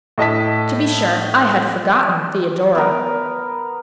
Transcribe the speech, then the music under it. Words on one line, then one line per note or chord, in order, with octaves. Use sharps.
"To be sure; I had forgotten Theodora."
A2 D#5 A5 B6
B3 A#4